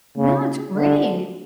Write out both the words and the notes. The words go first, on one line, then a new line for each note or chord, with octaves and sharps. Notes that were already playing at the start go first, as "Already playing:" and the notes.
No, it's great.
C#3
D3